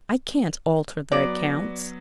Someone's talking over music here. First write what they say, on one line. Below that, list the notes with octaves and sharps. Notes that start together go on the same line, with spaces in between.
'I can't alter the accounts.
F#3 B3 D5